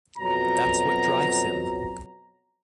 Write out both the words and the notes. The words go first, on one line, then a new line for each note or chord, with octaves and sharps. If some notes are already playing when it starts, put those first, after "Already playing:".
That's what drives him.
F2 B2 F#3 A#5